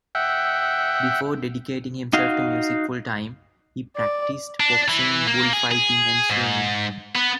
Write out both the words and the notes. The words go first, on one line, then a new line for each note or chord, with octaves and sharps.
Before dedicating himself to music full-time, he practiced boxing, bullfighting and swimming.
E5 F#5 G5
D#4 F#4 F5
D5
D4
E3
A#3
G#4
G#4
G#2
B3